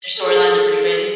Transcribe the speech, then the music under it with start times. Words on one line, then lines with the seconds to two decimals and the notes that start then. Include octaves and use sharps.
Their story lines are pretty crazy?
0.17 G#4 A4